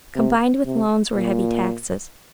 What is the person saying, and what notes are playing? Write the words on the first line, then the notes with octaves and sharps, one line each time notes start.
Combined with loans were heavy taxes.
C3
C3
A#2